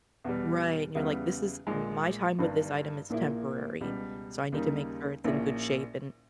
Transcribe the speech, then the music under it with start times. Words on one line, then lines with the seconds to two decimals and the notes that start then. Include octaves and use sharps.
Right, and you're like, "This is m my time with this item is temporary, so I need to make sure it's in good shape, and
0.25 E2 B2 G3
0.95 E2 C#3 G3 B3 E4
1.67 A#1 A#2 G#3
2.39 G1 G2 D#3
3.10 A#1 A#2 A#3 E4
3.81 C#2 B2 G3
4.52 D#2 C#3 G3 A#3 D#4
5.24 A#1 A#2 A#3 C#4 E4